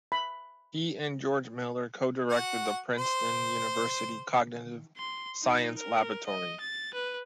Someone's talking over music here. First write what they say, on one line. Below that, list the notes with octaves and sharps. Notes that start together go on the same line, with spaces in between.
He and George Miller co-directed the Princeton University Cognitive Science Laboratory.
B5
F#4 F#5
C5
C6
D#4
A#4
D#5
A6
B4